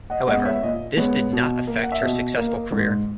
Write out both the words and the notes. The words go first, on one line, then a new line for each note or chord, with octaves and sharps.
However, this did not affect her successful career.
D#5 F#5
G#3 B3 D#5 F#5
C#5 E5
A#2 D#5
G#3 B3 C#5
B2
A#3
F#5
E5
B2 D#5
A#3
G#2